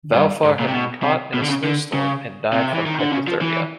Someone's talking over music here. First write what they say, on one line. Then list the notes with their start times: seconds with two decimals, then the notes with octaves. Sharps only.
Valfar had been caught in a snow storm and died from hypothermia.
0.14 G2
0.44 G#2
0.59 A#2
0.68 C3
0.74 B2
1.03 C3
1.34 B2
1.42 D3
1.48 C#3
1.64 D3
1.94 C#3
2.53 C3
2.73 E3
2.86 D#3
3.00 D3
3.12 C#3
3.28 F3
3.41 E3